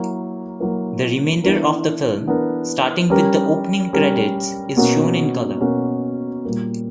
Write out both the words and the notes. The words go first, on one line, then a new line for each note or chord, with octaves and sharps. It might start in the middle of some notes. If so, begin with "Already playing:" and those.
The remainder of the film starting with the opening credits is shown in color.
Already playing: F#3 A#3 E4 A#4
F#3 A#3 E4 A#4
E3 B3 D4 A#4
E3 B3 D4 A#4
G3 C#4 G4 A#4
G3 C#4 G4 A#4
B2 A#3 C#4 F#4
B2 A#3 C#4 F#4
A#2 G3 A#3